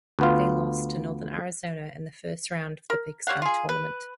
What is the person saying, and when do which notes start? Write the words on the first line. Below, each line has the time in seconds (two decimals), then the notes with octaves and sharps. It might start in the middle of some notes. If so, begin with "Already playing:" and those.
They lost to Northern Arizona in the first round of the Big Sky Tournament.
0.19 D2 B3 F4
2.90 A#4
3.27 G3 C#5 F5 F#5
3.42 F4 G#4
3.69 B4